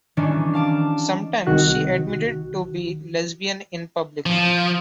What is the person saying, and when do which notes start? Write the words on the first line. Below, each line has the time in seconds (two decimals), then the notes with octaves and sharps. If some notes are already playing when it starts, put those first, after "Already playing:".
Sometimes, she admitted to be lesbian in public.
0.17 D#3 E3 G3 C#4 D4
0.54 F5 A5 D6
1.47 C2 D#3 F#4 F#6
4.26 F3